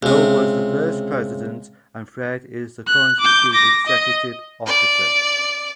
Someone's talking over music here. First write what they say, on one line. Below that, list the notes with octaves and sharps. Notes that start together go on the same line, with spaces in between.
Bill was the first president and Fred is the current chief executive officer.
C#2 C3
F#6
D6 G6
D6 A#6
D#5
D5